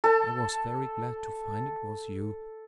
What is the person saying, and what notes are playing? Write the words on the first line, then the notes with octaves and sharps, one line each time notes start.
I was very glad to find it was you.
A4 A5